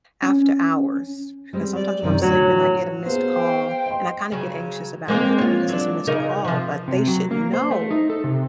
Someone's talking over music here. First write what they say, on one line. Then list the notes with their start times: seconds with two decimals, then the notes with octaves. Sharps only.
after hours? Because sometimes when I'm sleeping, I get a missed call, and I kinda get anxious about it because it's a missed call, but they should know
0.23 C#4
1.53 G3 G#3 C4
1.76 D5
2.02 F#2 C3 D#3
2.21 A2 D3 F#3 C#5
3.06 B3 G#4 C5 F5
3.35 G5
3.86 D#5 C6
4.32 C#3 F#3
5.08 G#3 A#3 C4
5.38 F4 C#5
5.68 F#3 D4
6.07 C#3 D#4 A#4
6.44 C3 F3
6.88 C3
7.08 F#3
7.31 A#3
7.53 C5
7.71 A3
7.91 D#4
8.10 A4
8.24 C3